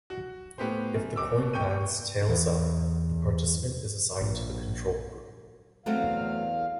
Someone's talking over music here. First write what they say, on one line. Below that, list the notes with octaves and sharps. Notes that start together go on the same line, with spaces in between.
If the coin lands tails-up, the participant is assigned to the Control Group.
F#4
A2 B3 G4 C5
F#2
D#1 D6 E6
B2
D#1 G5 C#6 G6 D#7
E2
A#1
E2 F#3 A3 C4 F5